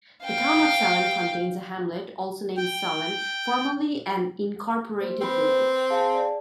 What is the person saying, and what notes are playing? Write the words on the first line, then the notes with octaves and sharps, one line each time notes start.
The town of Salem contains a hamlet also named Salem, formerly an incorporated village.
F5 G5
G5
A#3 C5
C4 B4 C5 B5
G#4 F5 A5
D5